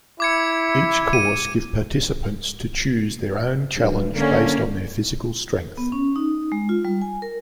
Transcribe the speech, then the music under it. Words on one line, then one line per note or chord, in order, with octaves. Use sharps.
Each course give participants to choose their own challenge based on their physical strength.
E4 D6 G#6 C#7
D#7
B1 G2
D3 A#3 C#4
B3
C#4
D#4
G#3
F4
G3
G#5
A#4